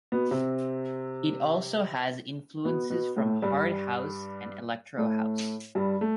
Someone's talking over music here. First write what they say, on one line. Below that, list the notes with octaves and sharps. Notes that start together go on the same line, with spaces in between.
It also has influences from hard house and electro house.
B2 B3
C3 C4
B2 B3
B2 B3
A2 A3
G2 G3
A2 A3
G2 G3
A3